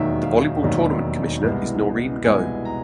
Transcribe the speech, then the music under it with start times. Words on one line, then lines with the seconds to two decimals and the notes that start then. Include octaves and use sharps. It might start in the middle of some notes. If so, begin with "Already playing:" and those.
The volleyball tournament commissioner is Noreen Go.
Already playing: E1 D#2 D#3 F#3 E5
0.23 F5
0.63 E1 D#2 D#3 F#3
1.44 C2 B2 G#3 B3 E4
2.25 C2 B2 G#3 B3 E4 G#5
2.65 A#5